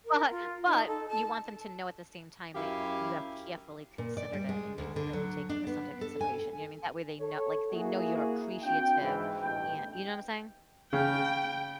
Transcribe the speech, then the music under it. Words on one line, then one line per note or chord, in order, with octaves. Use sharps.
but but you want them to know at the same time that you have carefully considered it, and you've really taken this under consideration, you know I mean? That way they kno like, they know you're appreciative, a you know what I'm saying?
A#4
F4
D#4
A4
A5
F#2 E4 G4 F5
A#2
D5
G3
G#3
D2
D3
F#3
D4
B3
A4
G#5
A4 C#5
A#3 E4 F#4 G#4
C4 D4 F4 F#4 G5
G#2 E3
A1 G2 B2 D#5 G5
C#3 G5